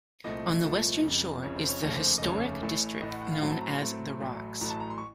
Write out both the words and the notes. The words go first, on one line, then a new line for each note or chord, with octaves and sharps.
On the western shore is the historic district known as The Rocks.
C2 A#2 F3 A3 C4 D#5
C2 A#2 F3 A3 C4
F1 F2 C#3
F1 F2 C#3 C#5
C5
C#5
F1 D#2 C#3 A3 C#5
C5
D#5
F1 D#2 C#3 A3 C#5
A1 A2 A3
A1 A2 A3 D#5
F#5
F#5
F5
A2 F#3 A3 C4 F#5
A5
A#5
C6
A2 F#3 A3 C4
A1 A2 F#3 A3
A1 A2 F#3 A3 A#5
A5
A#5
C6
C#6